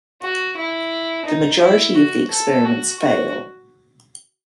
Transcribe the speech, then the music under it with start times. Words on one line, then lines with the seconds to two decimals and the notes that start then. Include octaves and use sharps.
The majority of the experiments fail.
0.22 F#4
0.57 E4
1.26 D#4
1.61 E4
1.96 F#4
2.31 A4
2.65 F#4
3.00 F#4